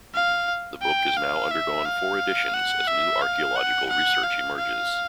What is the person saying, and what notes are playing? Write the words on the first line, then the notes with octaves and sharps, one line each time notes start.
The book has now undergone four editions, as new archaeological research emerges.
F5
G5
F5
E5
F5
F#5
E5
F5
F#5
F#5
F5
F5